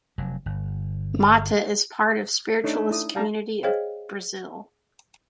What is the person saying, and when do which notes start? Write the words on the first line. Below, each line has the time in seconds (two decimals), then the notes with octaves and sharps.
Motta is part of spiritualist community of Brazil.
0.18 F1 F#3
0.46 G1
2.64 A3 D4 D#4 C#5
2.91 E4 D#6
3.15 G3 F5 A5 A#5
3.63 G#4 C5 C#5 D#5 F5 G5